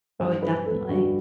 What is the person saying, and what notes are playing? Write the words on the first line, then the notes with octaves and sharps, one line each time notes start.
Oh, definitely.
G2 D3 G3 C5
B4
A4
G2 D3 G3 F#4